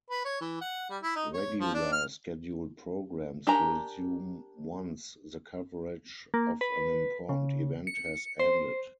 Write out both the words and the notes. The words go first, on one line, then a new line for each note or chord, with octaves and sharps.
Regular scheduled programs resume once the coverage of an important event has ended.
B4
C#5
E3
F#5
G3
E4
D#4
C#5
F3
D4
F6
D4 G4 A#4 G#5 A#5
A#3
B4
C#3
C#7
C5